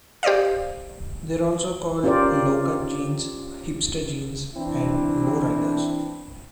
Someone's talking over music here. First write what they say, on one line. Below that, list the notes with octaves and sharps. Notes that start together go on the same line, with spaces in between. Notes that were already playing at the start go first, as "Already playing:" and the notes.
They are also called "lowcut jeans", "hipster jeans", and "lowriders".
G4 C5 D5 D#5 F5
C#4 F4 G4 A#4 C5 D5
E3 C4 D4 E4